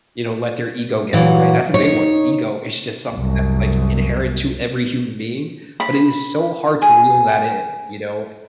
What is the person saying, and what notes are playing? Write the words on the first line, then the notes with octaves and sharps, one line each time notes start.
you know, let their ego get in the way. That's a big one. Ego is just something that's, like, inherent to every human being, but, it is so hard to reel that in, you know,
A#2 E3 F#3
D#4 C#5
C2 F#2
B5
G#4